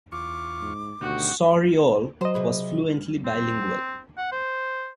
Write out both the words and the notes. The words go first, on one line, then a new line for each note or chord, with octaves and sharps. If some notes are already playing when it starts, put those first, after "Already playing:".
Sauriol was fluently bilingual.
E2 F4 C#6 D6
G#2
D2 B2 D#3 F#4 G4
F#3 C5 D#5
C3 G#4 B4
C4
F#5
C5